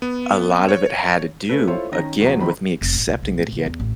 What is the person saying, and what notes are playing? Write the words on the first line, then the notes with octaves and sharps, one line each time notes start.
a lot of it had to do again with me accepting that he had
B3
C#5
A3 C#4 A4 B4
E4 F4 A4 C5 C#5
D#3 C#4 D#4 A#6
E2 F#3
F#1 D#3 C4 D#4 B5
F1
A1
B1
B1
A2
C2
E2
A1